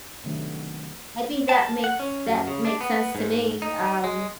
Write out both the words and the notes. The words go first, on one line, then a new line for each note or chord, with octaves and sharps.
I think that makes that makes sense to me, um,
C3 D#3 F#3 A3 B3 D4
A5
F#5
C#4
F#2
C#3
D4
B3
G#2
D#4
G#3